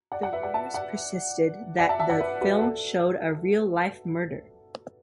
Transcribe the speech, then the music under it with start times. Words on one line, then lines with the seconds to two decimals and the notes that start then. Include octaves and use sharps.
The rumours persisted that the film showed a real-life murder.
0.12 D5 F#5
0.22 D5 F#5
0.33 B4 E5
0.43 D5 F#5
0.54 E5 A5
0.74 D5 F#5
1.79 D5 F#5
1.89 E5 A5
2.00 E5 A5
2.10 D5 F#5
2.20 B4 E5
2.41 F#4 B4
2.62 A4